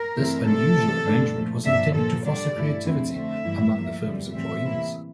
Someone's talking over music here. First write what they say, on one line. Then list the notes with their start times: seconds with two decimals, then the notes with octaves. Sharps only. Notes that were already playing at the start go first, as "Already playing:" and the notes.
This unusual arrangement was intended to foster creativity among the firm's employees.
Already playing: A#4
0.16 G2 E3 A3 C4 E4
0.45 C3 F3 A3 D4 A4
0.75 C3 E3 A3 D4
1.05 G2 D3 A3 D4
1.35 A#2 F3 A3
1.65 G2 F3 A#3 D4 E5
1.95 A#2 F3 A#3 A4
2.24 D3 G3 D4 D5
2.55 G2 E3 A3 E4
2.84 F2 D3 A3 C4 E4
3.14 D3 A3 C4 E5
3.44 G2 E3 G3 A#3 E4
3.74 A2 F3 A#3
4.04 G2 D3 G3
4.33 A2 E3 G3 C4 E5
4.63 C3 E3 A#3 E4